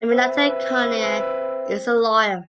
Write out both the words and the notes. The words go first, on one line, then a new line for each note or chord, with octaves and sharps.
Aminata Koné is a lawyer.
C4 B4 E5